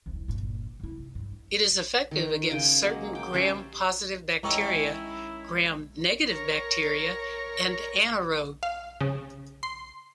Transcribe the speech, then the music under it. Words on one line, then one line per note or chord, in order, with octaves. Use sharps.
It is effective against certain gram positive bacteria, gram-negative bacteria, and anaerobe.
E1 C2
G1 A#2
C3 E4
G2
D#3
C#3 G5 G#5
F#3 G#3 A#3
G5 D6
G3 C#4 C5 E5
D#3 G#3 C#4 E4 A#5 C#6 E6
A#4 C#5
F5
C#3
C6